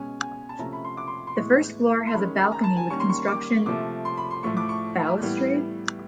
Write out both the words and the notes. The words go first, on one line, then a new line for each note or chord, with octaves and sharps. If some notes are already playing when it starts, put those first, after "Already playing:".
The first floor has a balcony with construction balustrade.
Already playing: B2 G#3 C#4 G#5
G#5
A5
C3 F3 A3 C#4 A#5
B5
C6
D6
C6
C6
A2 E3 G#3 B3 C#6
C6
D#3 G#3 C#4 B5
A#5
A5
G#5
D#3 G3 A#3 C#4 C#6
C6
C#6
D6
C3 F3 A3 D6
C6
B5
C6
A2 F3 A3 C#6
D6
C#6
A2 E3 G3 B3